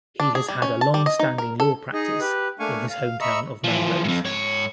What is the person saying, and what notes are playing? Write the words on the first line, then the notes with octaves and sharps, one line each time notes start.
He has had a longstanding law practice in his hometown of Melrose.
D4
G#4
G3
C#4
A5
G3
D#5
D#4
A#4
A4
D#4 G#4 D#5
G4 B4
A3 A#3 D4 F5 G#5 C#6
F5
D#5 E5 A#5 B5 C#6 E6
E3 F3
F2 G#2
G#2 C#5